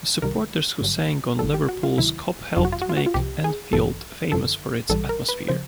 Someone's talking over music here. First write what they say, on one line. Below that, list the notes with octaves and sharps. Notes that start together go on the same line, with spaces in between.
The supporters who sang on Liverpool's Kop helped make Anfield famous for its atmosphere.
C2 C3 D#3 G3 A#4
G#1 G2 D3 F#3
G#1 G#2 D#3 G3 A4
G4
F#4
F4
D2 C3 D#3 F#3 E4
G1 F2 C3 D#3 F#3 F4
F#4
F4
F#4
F4
F#4
F4
C2 C3 F3 G4
G#4
A1 G2 E3 A4
G#1 F#2 D3 F3 A4
A#1 G#2 E3 G3 A4
A#4
B4
C#3 F3 C5